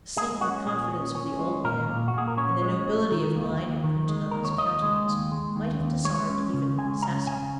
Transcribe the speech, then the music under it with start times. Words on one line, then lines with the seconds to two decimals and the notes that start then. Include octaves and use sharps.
The saintly confidence of the old man, and the nobility of mind imprinted on his countenance, might have disarmed even an assassin.
0.17 G#3 G#4
0.41 C#4 F#4
0.66 A#2 G#4
0.91 C#4
1.15 C#4
1.39 G#3
1.64 A#2 A#4
1.89 A#2
2.08 F#4
2.13 A#2 G#4
2.28 A#4
2.37 C#4 C#5
2.62 G#3
2.87 G#3
3.11 D#3
3.36 D#2
3.60 D#2
3.84 D#3
4.09 G#3
4.31 D#2 A#4
4.45 C#5
4.57 D#2 D#5
4.82 G#3
5.07 D#2
5.32 G#3
5.56 D#2
5.80 D#2
6.05 G#3 C#5
6.29 C#4
6.54 C#3
6.77 G#3 G#5
7.02 C#4 A#5
7.27 C#3 G#5